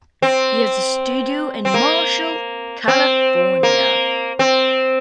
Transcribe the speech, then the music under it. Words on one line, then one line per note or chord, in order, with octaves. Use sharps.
He has a studio in Marshall, California.
C4
C4
A#3
C4
A#3
C4